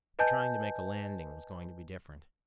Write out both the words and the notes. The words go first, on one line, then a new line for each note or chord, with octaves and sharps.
But trying to make a landing was going to be different.
B4 D#5 G#5 A5 G6